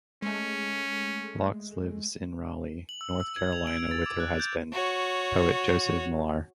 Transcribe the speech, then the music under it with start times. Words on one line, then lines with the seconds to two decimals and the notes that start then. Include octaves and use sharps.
Laux lives in Raleigh, North Carolina with her husband, poet Joseph Millar.
0.22 G#3 A3 C#4
2.89 F#7
3.01 E6
3.20 E6
3.36 G#6
3.53 F7
3.67 D7
3.91 A6
4.06 D6
4.20 F#6
4.40 G6
4.73 F#4 C#5